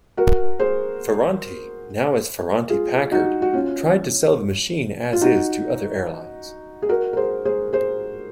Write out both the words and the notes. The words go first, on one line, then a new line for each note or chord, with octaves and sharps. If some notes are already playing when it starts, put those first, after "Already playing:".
Ferranti, now as Ferranti-Packard, tried to sell the machine as-is to other airlines.
F#4 A#4
G#4 C5
F4 G#4
D#4 F#4
F#4
C#4 F4
F4
D#4 F#4
G#4
F#4 A#4
A#4
G#4 C5
G#4 C5
G#4 C5